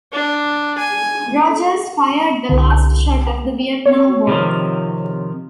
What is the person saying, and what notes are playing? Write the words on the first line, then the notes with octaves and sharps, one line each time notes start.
"Rogers" fired the last shot of the Vietnam War.
D4
G#5
C2 D3
C#5
C3 D#3 F3